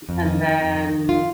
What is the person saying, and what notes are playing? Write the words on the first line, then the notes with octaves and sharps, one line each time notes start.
and then,
F2
D#3
F2
F2
D#3
F2
D#3 F4